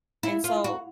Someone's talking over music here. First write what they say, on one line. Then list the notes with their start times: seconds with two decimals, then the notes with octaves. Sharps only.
And, so,
0.23 E4
0.44 F4
0.64 F#4